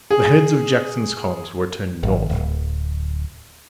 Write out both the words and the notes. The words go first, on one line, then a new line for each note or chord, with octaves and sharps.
The heads of Jackson's columns were turned north.
G#4
G#1
D1